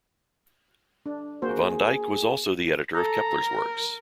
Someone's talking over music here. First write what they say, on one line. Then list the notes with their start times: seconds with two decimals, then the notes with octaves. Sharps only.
Von Dyck was also the editor of Kepler's works.
1.06 D4
1.42 A#3 F#4 G#4 C5
2.95 A4 A#5
3.44 A#4